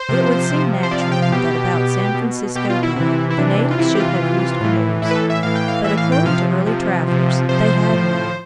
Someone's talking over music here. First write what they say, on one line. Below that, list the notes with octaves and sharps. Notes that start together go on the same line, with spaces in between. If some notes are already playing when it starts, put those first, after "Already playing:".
It would seem natural that about San Francisco Bay the natives should have used canoes, but, according to early travellers, they had none.
Already playing: C5
C3 F3
C3 F3
C5
C3 F3 D5
F5
G5
F5
B2 G4
B2
B2
B2 G4
F4
E4
C3 E3 E4
E4
C3 E3 D4
F4
C3 E3 E4
G4
F4
C3 E3
A2 E3
A2 E3 E4
B4
A4
E5
A2 E3 F5
G5
F5
A2 E3 E5
F5
G5
C3 F3 F5
C3 F3
C3 F3
C3 F3 C5
A2 F3